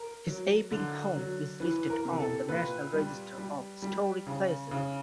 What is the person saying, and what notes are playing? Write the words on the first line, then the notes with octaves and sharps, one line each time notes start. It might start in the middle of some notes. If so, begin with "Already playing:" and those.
His Epping home is listed on the National Register of Historic Places.
Already playing: A#4
F#3
D3
F#3
E3 B4
A#4
C3
A4
A#2 B4
G3
G3
G3
C#3
C#3